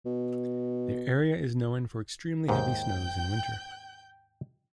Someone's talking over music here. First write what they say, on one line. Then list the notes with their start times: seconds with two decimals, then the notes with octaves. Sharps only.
The area is known for extremely heavy snows in winter.
0.06 B2
2.48 D#2 G#2 G5 G6